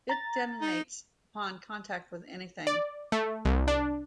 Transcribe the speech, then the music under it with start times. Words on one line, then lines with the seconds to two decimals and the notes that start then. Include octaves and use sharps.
It detonates upon contact with anything.
0.09 A#5 A6
0.61 D#4
2.67 D5
3.12 A3
3.45 C2
3.68 D4